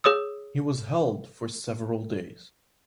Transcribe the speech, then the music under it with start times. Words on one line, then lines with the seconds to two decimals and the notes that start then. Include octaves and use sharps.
He was held for several days.
0.04 G#4 C#5 D#6 E6